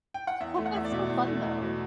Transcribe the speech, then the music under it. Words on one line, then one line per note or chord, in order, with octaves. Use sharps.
That's so fun, though.
G5
F#5
E2 E5
A3
F#5
E2 E5
D5
B2 E5
E2
A3
E2
B2